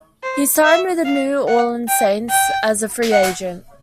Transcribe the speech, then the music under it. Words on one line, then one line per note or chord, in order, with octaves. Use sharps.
He signed with the New Orleans Saints as a free agent.
C5
E5
F5
F#5
G5
G5
F#5